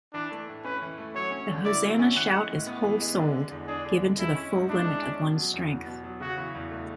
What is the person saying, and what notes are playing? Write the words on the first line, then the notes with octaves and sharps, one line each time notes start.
The Hosanna Shout is whole-souled, given to the full limit of one's strength.
E3 D4
A3
A2
C#4 B4
E3
A3
F#3 C#5
C#4
D3
E4 D5
F#3
C#4
E3 F#5
G#3
A2
B3
E3
G#3
D3
G#3
E2
D4 G#4
D3
G#3
G#3 E4
C#4
G#2
D4 E4
G#3
C#4
B2
F#3
E2
B3
B2
F#3
C#3 F#4
E3
E2
A3